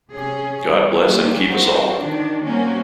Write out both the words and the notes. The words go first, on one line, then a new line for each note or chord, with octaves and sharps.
God bless and keep us all!
C3 C#4 G#4
G3
F#3 G3 A#3 C#4 F4 G4
G3 C4 F4 F#4 A#4 C5
D#3 D4
G3 A#3 C4 C#4 F#4